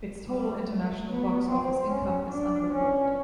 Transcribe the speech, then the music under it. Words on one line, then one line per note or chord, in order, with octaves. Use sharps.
Its total international box office income is unreported.
G3
A3
B3
C4
C#4
D4
C#4